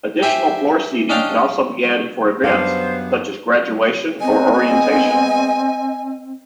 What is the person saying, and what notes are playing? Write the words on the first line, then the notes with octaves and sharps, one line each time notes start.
Additional floor seating can also be added for events such as graduation or orientation.
G4 C5 E5 G5 G#5
C#4 D4 D#5 F5 G5 A5
F#2 G3 B3 D4 C5 F5
G#3 B3 C4 D#5 G#5